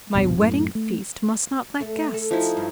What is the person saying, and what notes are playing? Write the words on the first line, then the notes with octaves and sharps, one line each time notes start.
My wedding feast must not lack guests.
D1 A#1 G2 B2
F#2 A2
A3
A3
A4
F3 D#4 E4
G2